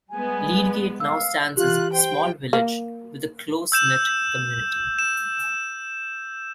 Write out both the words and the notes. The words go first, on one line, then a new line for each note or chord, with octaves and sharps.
Leadgate now stands as a small village with a close-knit community.
G3 G#3 B3 G#5
F5 E6
E3 F4 G4 F#6
C5 G5
A#3
E6 G6 E7
E7